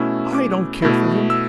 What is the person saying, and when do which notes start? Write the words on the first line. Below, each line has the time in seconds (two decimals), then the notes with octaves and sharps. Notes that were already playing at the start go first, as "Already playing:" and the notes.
I don't care for him!
Already playing: B2 A3 C#4 E4 E6
0.35 D6
0.82 B2 A3 E4
1.30 E6